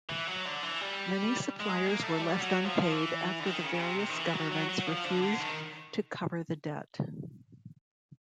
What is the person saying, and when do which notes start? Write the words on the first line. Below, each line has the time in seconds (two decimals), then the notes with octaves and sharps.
Many suppliers were left unpaid after the various governments refused to cover the debt.
0.10 E3
0.27 F#3
0.46 D3
0.62 E3
0.81 G3
1.60 G#3
1.87 A#3
2.04 A3
2.22 G3
2.39 F#3
2.66 F3
2.82 F3
2.92 E3
3.40 D3
3.46 D#3
3.64 C#3
3.74 C#3
3.81 C3
3.99 C3
4.09 D#3
4.17 E3
4.34 F#3
4.52 F#3
4.69 F#3
4.87 F3
5.05 D3
5.23 D3
5.40 D#3